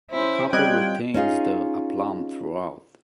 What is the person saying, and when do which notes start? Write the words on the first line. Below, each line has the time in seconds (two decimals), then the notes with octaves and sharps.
The couple retains their aplomb throughout.
0.11 C#4 E4 C5
0.53 F#3 G3 C4 F4 D#5 G5 F#6 G#6
1.14 C#4 D#4 F4 G#4